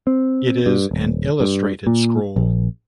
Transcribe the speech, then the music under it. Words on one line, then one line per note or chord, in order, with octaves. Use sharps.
It is an illustrated scroll.
C4
G2
D#1
G2
A#2
A#1